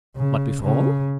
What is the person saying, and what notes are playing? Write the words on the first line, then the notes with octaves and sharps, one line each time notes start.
"But before--?"
C#3
C#3